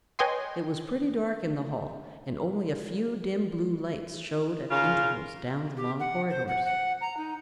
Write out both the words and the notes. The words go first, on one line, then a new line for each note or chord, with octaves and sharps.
It was pretty dark in the hall and only a few dim blue lights showed at intervals down the long corridors.
B4 C#5 D#5 G5 G#5 C6
C#3 F4 A#4
G4
F#5
C5
F#5
F#5
A#5
D#4